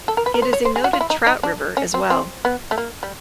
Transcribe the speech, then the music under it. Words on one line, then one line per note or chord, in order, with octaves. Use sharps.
It is a noted trout river as well.
A4
A#4
B4
A#4
C5
C#5
C5
G#4
F#4
F4
E4
D#4
D#4
D4
C#4
C4
C4
B3
A3
A#3
G3